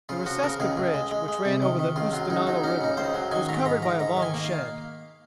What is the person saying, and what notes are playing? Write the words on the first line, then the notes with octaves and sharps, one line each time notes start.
The Reseca bridge which ran over the Oostenaula River was covered by a long shed.
C#3 F4
F3 F#4
C#3 A#4
C#2 G#4
C#2
G#3
G#3
G#3
C3
D#3
D#3
C#2 F4
F#3 F4
C#2 D#4
F#3 D#4
C#4 D#4
C#3 D#4
C#2 C5
F#3
D#3 G#5
G#2 A#5
G#2 A#5
G#2 A#5
G#2 A#5
D#3
G#5
A#3
F5